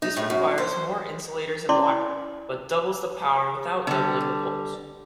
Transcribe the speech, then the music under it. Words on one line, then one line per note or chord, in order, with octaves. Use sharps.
This requires more insulators and wire, but doubles the power without doubling the poles.
D#4
A2
F#2
C5
C#4 E4 D5 C6 D6
D3 G3